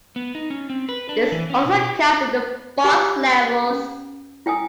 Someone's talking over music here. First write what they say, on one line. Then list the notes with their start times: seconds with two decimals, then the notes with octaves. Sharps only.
This also counts in the Boss levels.
0.16 B3
0.35 D#4
0.50 C#4
0.70 C4
0.89 B4
1.09 D4
1.32 E3
1.50 C#4
1.65 B2
1.81 G4
2.84 G4 G5 G#5 B5 E6
3.71 C#4
4.46 E4 G5 G#5 D#6